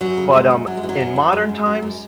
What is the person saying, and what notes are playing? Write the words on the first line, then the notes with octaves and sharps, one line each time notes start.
But, um, in modern times,
F#2 F#3
C#3
F#2 G#3
F#2
F#2 F#3
G#3
E3
F#3
F#2
F#2
F#2 G#3
F#2
F#2
F#2